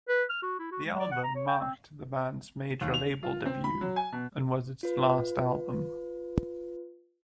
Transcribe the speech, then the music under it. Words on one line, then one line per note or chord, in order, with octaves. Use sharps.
The album marked the band's major label debut, and was its last album.
B4
F6
F#4
E4
F#4
G#3
D5
F#5
A#5
C#5
G5
C4
D#2
F7
F4
C4
B5
F#3
G#5
B2
F4 B4